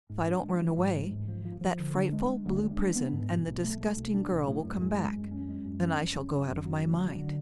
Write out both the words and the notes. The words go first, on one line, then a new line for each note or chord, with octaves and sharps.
If I don't run away, that frightful blue prison and the disgusting girl will come back, and I shall go out of my mind.
G#2
D4
G#3
F3
G#2
A1
G#2
F3
F3
F3
D3
D4
G#3
G#3
D2
G#3
D4
B3
G#2
B2
B1
A3
A3
B1
D4
B1
A2
F#2
G#3
G#3
F#2
C#4
G#3
F#2
C#4
F#1
C#3
F#2
F#1
F#3
D2
F#3
D3